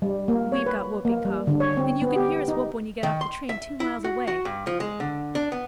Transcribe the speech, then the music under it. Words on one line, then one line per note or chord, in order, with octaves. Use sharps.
We've got whooping cough, and you can hear us whoop when you get off the train two miles away.
G3
A#3
C#5
B4
A#3
G3
D3
C#5
C4
B3
G4
D#4
D#3
C6
E5
E4
F#4
F#4
G2
F3
G#3
D3
D4
B3